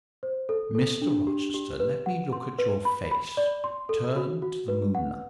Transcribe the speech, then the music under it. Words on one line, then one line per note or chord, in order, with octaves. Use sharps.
"Mr. Rochester, let me look at your face: turn to the moonlight."
C5
A4
A4
D4
G4
G4
B4
F#5
C6
B4
B5
B5
D5
C6
A4
F#4
F#4
B4
F#5